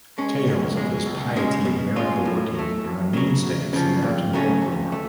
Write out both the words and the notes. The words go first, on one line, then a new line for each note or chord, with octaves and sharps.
Tales of his piety and miracle-working are a mainstay of Samaritan folklore.
G#3 C#4
C#2
B2 G#3
C#2
C#3 G#3
B2
G#3 C#4 F4
A2
F#3 A3
F2
C#3 F#3
D2
C#3 F3
F2
C#3 F#3 A3 C#4
F2
A3